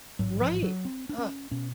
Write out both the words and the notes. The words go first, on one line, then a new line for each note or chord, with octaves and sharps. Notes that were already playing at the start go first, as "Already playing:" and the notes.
Right. Ugh.
A1 G#2 F#3
F3
F#3
C4
D4
C#4
B2 C#4